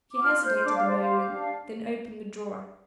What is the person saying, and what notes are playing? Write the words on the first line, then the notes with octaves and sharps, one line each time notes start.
She hesitated a moment, then opened the drawer.
D6
F4 F6
C5 G6
F6
D4 D6
F5
C5 D5
F5
G4
D4